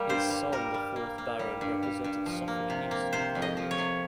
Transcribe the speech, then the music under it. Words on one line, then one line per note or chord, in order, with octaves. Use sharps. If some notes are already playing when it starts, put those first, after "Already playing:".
His son, the fourth Baron, represented Suffolk East in Parliament.
Already playing: G3 A#3
G2 C5
G3
G3 A#4
G3
A#3
A#3
G3
G2
G3
G2
F3
A#3
C3
A#3
C3 C5
F2
D#5
F3
C#5
C3